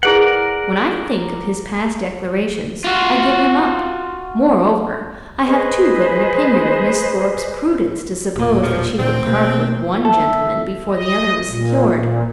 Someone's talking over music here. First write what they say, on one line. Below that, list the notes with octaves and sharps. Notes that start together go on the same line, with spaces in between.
When I think of his past declarations, I give him up. Moreover, I have too good an opinion of Miss Thorpe's prudence to suppose that she would part with one gentleman before the other was secured.
E4 G#4 A#4 B4 D5 F#5
F4 F#4
G#4 B4 C5 D#5
E1 A#2
G2 F3
D2 A#2 C4
B2 A3 A#3
A4 E5
D#5
A#2
A#2